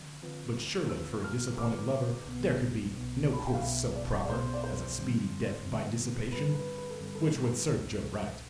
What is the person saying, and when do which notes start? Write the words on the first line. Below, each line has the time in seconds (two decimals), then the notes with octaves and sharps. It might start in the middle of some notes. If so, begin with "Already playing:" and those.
But surely, for a disappointed lover there could be no course so proper as a speedy death by dissipation--which would serve Joe right.
Already playing: D3 F3 C4
0.22 D3 F3 C4 F4 B4
0.89 D3 F3 C4 F4 B4 E6
1.24 F6
1.58 D3 F3 C4 F4 B4 D6
2.25 B1 B2 B3
2.94 B1 B2 B3
3.33 B5
3.40 A5
3.47 G5
3.54 F5
3.61 B1 B2 B3 E5
3.95 D5
4.24 D5
4.29 B1 B2 B3 C5
4.54 D5
4.64 C5
4.97 G2 D3 G3 C4
5.65 G2 D3 G3 C4
6.32 G2 D3 G3 C4 B4
6.55 B4
6.78 B4
6.90 A4
7.00 G2 D3 G3 C4
7.15 A4
7.68 C2 B2 A3 C4